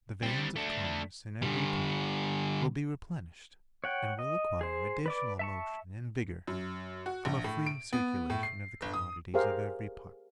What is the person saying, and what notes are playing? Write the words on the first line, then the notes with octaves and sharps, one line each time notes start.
The veins of commerce in every part will be replenished, and will acquire additional motion and vigor from a free circulation of the commodities of every part.
G3 C4
A3 D4
D3 G3
C#5 F#5 G5
D#5
G#4 C5
B4 D5 D6
E5 A5 C#6
F#2
F#4
A#1
A2
D7
B3
A2
C7
G1
D#6
G4 G#4 A#4 C5 F5